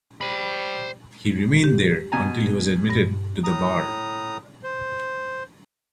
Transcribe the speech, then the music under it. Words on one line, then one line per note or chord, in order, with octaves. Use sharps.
He remained there until he was admitted to the bar.
G3 C5 B5
G4
B2 G#5 A#5
G2 A#6
A2 A#5 D#6
C5